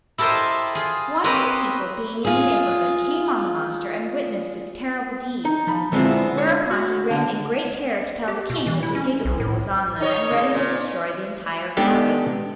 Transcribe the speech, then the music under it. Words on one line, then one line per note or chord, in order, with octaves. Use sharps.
One of the people, being in the neighborhood, came on the monster and witnessed its terrible deeds; whereupon he ran in great terror to tell the King that the Gigaboo was on them and ready to destroy the entire valley.
E4 G4 A4 A#4 C5 D#5
F4 G#4
A#3 C4 G4 B4 C#5 D#5
F4 G#4
D#4
F3 B5
D3 G#3 B3 C4 E4 F4
D4 C#5
F#4
D3
G4
B2
E3
E4
C#4
B1
A2
D#4 C#5 D#5
C#3
A#2
G#3 B3 D4 D#4 G4 A4